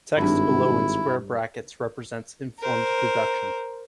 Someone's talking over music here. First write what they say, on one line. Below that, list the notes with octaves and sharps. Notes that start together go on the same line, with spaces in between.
Text below in square brackets represents informed deduction.
G#1 G2 F#3 E4
A#4 C5